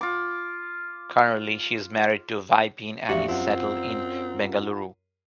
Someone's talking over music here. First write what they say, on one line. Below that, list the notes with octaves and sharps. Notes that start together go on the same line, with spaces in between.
Currently she is married to Vipin and is settled in Bengaluru.
F4 D6
A#1 E2 F#4 G4 E5 F5
F#2 C4 F4 F#5